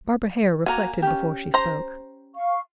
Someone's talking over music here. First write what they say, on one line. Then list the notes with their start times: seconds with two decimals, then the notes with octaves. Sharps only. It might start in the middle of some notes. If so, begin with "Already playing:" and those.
Barbara Hare reflected before she spoke.
0.66 A#3 F#4 G#5 A#5
1.02 C#4 G4
1.54 C5 A#5
2.35 F5 C#6